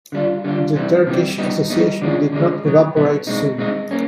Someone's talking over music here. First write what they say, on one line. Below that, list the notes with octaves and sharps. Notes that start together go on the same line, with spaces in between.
The Turkish association did not evaporate soon.
D3 G3 B3 D4 F4
D3 G3 B3 D4 F4
C3 E3 G3 C4
C3 E3 G3 C4
G3 B3 D#4
G3 B3 D#4
D3 F3 G#3 C#4
D3 F3 G#3 C#4
B2 F#3 B3
B2 F#3 B3
B2 G#3 C4 D#4
B2 G#3 C4 D#4
A#3 C#4